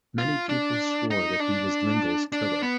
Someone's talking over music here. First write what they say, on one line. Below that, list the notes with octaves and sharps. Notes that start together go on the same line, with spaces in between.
Many people swore that he was Lingle's killer.
F4
D4
D#4
D4
D4
B3